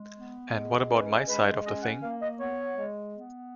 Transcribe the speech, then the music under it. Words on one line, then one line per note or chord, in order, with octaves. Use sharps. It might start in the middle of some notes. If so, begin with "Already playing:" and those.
And what about my side of the thing?
Already playing: G#3
B3
G#3
C#4 B4
G#3 B4
C#4 D#5
F#5
A#3 F5
D#5
B3 C#5
G#3
B3